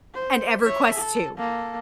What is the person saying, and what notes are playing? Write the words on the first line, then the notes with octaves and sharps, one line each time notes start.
And EverQuest II.
C5
C#5 E5
A4
A#3 A4